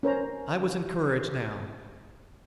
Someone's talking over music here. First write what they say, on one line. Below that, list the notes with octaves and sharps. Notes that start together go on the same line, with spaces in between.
I was encouraged now.
C#4 A#4 C5 A#5